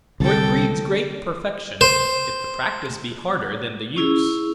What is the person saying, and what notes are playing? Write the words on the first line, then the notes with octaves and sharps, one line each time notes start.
For it breeds great perfection, if the practice be harder than the use.
C2 D3 A4 G5
C5
C#4 E4 G#4